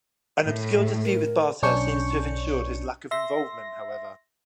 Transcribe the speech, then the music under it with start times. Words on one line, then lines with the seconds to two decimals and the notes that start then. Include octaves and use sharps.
An obscure dispute with Barta seems to have ensured his lack of involvement however.
0.43 A2
1.04 A#4
1.63 B1 C#4 D4 C#6 G6 C#7
3.11 E5 C6 A#6